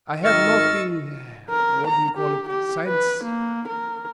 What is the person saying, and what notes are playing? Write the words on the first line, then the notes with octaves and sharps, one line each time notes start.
I have not the--what do you call it--sense?
G#1 D#3 D#5 C#6 E6 F6 A6
A#4
A#5
G4
G4
B4
A#3
A#4